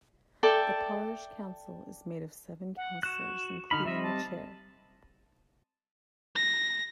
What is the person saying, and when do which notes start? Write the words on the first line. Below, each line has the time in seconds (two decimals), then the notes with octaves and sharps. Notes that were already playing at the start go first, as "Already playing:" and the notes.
The Parish Council is made of seven councillors including the Chair.
0.43 A4 D5 E5 G5
2.77 F#5
3.03 F#4 F#6 E7
3.71 D3 D#4 B5 F6
3.85 G3 C4 D#5 E5
4.03 A5
6.35 A#6